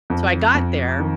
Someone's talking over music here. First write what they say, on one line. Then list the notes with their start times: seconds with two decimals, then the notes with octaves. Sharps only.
So I got there,
0.10 F2
0.55 F2
1.00 D#3